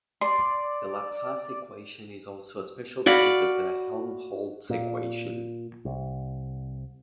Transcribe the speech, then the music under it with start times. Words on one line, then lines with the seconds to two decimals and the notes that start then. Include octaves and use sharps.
The Laplace equation is also a special case of the Helmholtz equation.
0.21 D5 C6
3.06 F#4 D5 F5 B5
4.70 A#2
5.85 C2